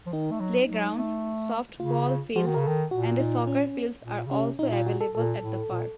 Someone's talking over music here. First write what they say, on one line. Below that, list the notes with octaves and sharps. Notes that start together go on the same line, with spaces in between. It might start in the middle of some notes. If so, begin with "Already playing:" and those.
Playgrounds, softball fields, and a soccer fields are also available at the park.
F3
D#3 D#4
A3
F#3
F#3
A3
C#3 F4
F3 F#4
D#3
C#3 A#4
D#3 A4
A#2 F#4
D#4
C#4
A#2
C#3
C3 C#4
A#2 D#4
F4
F#4
A4
A#2 A4
A2
A#2